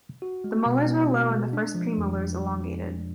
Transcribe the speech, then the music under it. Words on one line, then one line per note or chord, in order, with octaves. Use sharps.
The molars were low and the first premolars elongated.
F#4
G#3
B2
B3
F#4
G#3
D4
F3
F2